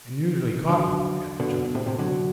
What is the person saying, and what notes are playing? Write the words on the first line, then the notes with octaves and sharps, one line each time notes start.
"And usually caught you," added Chunky.
D3 F#3
B2 D3
A2 C3
A2 C3
D3 F#3